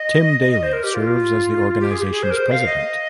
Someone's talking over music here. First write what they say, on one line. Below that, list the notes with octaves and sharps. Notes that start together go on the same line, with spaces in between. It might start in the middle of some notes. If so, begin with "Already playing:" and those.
Tim Daly serves as the organization's president.
Already playing: D#5
D#5
C5
A#4
G4
F4
G4
G#4
G4
G#4
C5
A#4
C5
F5
D#5